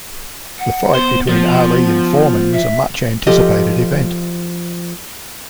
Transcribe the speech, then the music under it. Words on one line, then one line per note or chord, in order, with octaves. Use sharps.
The fight between Ali and Foreman was a much-anticipated event.
F#5
B3 C5
F3
E5
F3 G4 A4 D#5